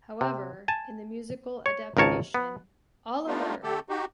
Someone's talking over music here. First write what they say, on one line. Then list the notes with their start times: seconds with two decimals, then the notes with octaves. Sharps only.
However, in the musical adaptation, Oliver!
0.21 C3
0.68 G#5 A5
1.66 C#5
1.97 G#1 C#2 A#4 C#5 A5
2.34 B3
3.27 G3 A3 B3 D4 D#4 F4
3.63 D3 A3 G4 A4
3.89 D#4 F#4 G4